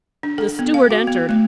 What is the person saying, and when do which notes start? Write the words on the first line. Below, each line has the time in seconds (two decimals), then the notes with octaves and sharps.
The steward entered.
0.23 D4
0.38 A4
0.59 B3
0.74 F5
0.91 F#4
1.07 B3
1.29 A3